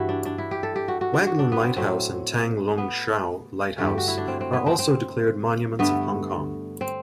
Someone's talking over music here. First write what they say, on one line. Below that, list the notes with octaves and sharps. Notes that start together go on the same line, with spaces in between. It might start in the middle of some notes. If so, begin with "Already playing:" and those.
Waglan Lighthouse and Tang Lung Chau Lighthouse are also declared monuments of Hong Kong.
Already playing: G2 E3 G3 E4 F#4
D4
D4
E4
G4
A4
G4
F#4
F#4
D4
F#4
D4
B3
C4
A2 F#3 A3 C4
B3
G2 D3 A3
G4
F#4
E4
D4
C4
C4
B3
C4
C4
G2 D3 A3 B3
C4